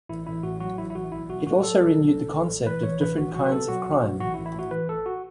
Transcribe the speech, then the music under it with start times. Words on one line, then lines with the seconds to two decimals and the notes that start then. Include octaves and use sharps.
It also renewed the concept of different kinds of a crime.
0.09 A1 E4
0.26 A1 E4
0.43 A2 F#4
0.60 F#3 F#4
0.78 A1 E4
0.90 E4
0.95 A1 F#4
1.12 B1 E4
1.29 B1 F#4
1.46 A2 F#4
1.63 F#3 A4
1.81 B1
1.98 B1
2.15 A1
2.32 A1
2.49 A2
2.66 E3 B4
2.83 A1 C#5
3.00 A1 B4
3.17 B1 F#4
3.34 B1 F#4
3.46 B4
3.52 B2 A4
3.68 F#3 F#4
3.86 B1
4.04 B1
4.20 A1 F#4
4.34 E4
4.38 A1
4.46 E4
4.54 A2 F#4
4.71 E3 B4
4.89 A1 A4
5.06 F#4